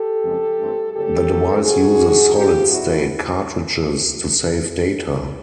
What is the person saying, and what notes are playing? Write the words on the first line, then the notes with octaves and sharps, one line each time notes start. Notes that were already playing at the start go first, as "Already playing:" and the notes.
The device uses solid state cartridges to save data.
Already playing: G4 A4
F#1 F2 C#3 F3 G#3
G2 E3 A3 C4
F#1 F2 C#3 G4 A4
B1 A2 F#3 A#3
C2 A#2 F3 F#4 G#4
C2 C3 F3 G#3
G#2 D#3 G3 C4 F4 G4
B1 B2 G3 C4 E4 F#4